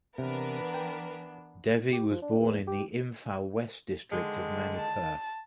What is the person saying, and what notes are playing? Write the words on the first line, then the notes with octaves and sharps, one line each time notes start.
Devi was born in the Imphal West district of Manipur.
C3 E3 B3 D4 A#4 B4
G5
G4
F3
D4
E2
G4
D3 D#3 G#3
A5